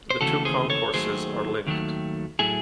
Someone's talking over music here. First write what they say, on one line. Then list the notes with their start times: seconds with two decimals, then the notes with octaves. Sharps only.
The two concourses are linked.
0.10 C5
0.21 D#2 C#3 E3 A3 F#4 A4
0.45 G#4 C5
0.70 A4 C#5
0.94 D#2 D#3 F#3 A3 G#4 C5
1.67 D#2 D#3 F#3 A3
2.39 A2 F#3 A3 E4 G#4